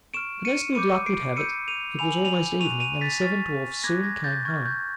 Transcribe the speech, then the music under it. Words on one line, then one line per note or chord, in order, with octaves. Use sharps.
But as good luck would have it, it was almost evening, and the seven dwarfs soon came home.
C#6 F6 D7 E7
C#7 D#7
B5 D6 G6 C#7 D#7
C7 D7
B5 E6 G6 C#7 D#7
D#7 F7
G#5 B5 E6 F7
F#7
D#7 F7
C#6 F#6 D#7 F7
D#7 F7
A6 B6
C#6 F6 A6 B6
B5 D6 F#6 G#6 A#6
G#6 A#6
G6 A6
C#6 F6 G#6
G6